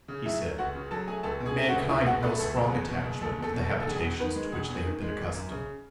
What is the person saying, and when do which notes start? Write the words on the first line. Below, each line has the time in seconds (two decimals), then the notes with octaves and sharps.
He said, 'Mankind have a strong attachment to the habitations to which they have been accustomed.
0.08 C#3
0.25 F#3 E4 E5
0.42 A3
0.58 C#2 F#4 F#5
0.75 C#3
0.91 F#3 A4 A5
1.07 A3 G#4 G#5
1.23 C#2 A4 A5
1.40 B2
1.46 G#4 G#5
1.57 A3
1.68 F#4 F#5
1.74 C#2
1.89 C#2 E4 E5
2.05 B2 F#4 F#5
2.22 A3 B3 B4
2.39 C#2 A4
2.56 F#1
2.72 E2
2.89 B2
3.04 F#1
3.21 F#1 A4
3.38 E2 A4
3.53 B2
3.64 A4
3.71 F#1
3.80 A4
3.87 E1 G#4
4.03 E2
4.20 D#3 B3 B4
4.36 G#3
4.52 E1 G#4
4.69 E2
4.74 G#4
4.85 D#3
5.02 G#3
5.18 G#1
5.34 F#2
5.50 C#3